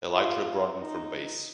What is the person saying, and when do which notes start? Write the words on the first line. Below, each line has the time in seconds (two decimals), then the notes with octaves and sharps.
Elytra broadened from base.
0.12 F4
0.80 D#4